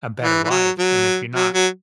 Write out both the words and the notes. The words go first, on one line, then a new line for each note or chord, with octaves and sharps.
a better life, and if you're not
E3
E3
F#3
F#3
F#3
F#3